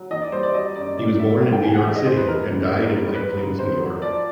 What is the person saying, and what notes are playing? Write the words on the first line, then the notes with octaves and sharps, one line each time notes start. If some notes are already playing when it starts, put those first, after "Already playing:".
He was born in New York City and died in White Plains, New York.
Already playing: F#3
E3 D#5
D5
G3 C5
D5
F#3 D#5
F#2 D5
A#2 D5
F#3 E5
G3 F5
G5
A2 G#5
F#5
E3 E5
D#5
E2 C5
B4
E3 A#4
G3
A#2
G3
G3 B4
G#2
D#3 C5
F#3
F3 D5